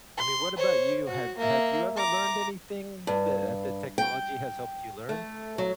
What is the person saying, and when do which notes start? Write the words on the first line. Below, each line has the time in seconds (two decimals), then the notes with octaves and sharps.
I mean, what about you? Have have you ever learned anything that, uh that technology has helped you learn?
0.17 C6
0.56 C5 C#5
1.07 F#4
1.38 A#3 E5
1.97 A#5 D6
3.07 G2
3.98 G5
5.09 A3
5.58 F#3